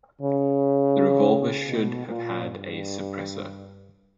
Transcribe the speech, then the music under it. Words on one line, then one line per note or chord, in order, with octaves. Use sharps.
The revolver should have had a suppressor.
C#3
B2
A#2
G2